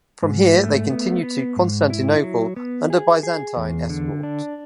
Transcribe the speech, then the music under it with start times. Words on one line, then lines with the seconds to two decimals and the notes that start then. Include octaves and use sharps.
From here they continued to Constantinople under Byzantine escort.
0.23 G#2
0.56 A3
0.90 B3
1.23 B3
1.56 G#2
1.90 E4
2.24 F#3
2.56 B3
2.90 G#4
3.23 G#4
3.57 E2
3.90 D3
4.23 D4